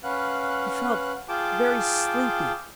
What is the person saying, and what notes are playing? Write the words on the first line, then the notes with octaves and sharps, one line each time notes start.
He felt very sleepy.
C#4 B4 F5 F#5 F#6
F4 G#4 G5 A5 D6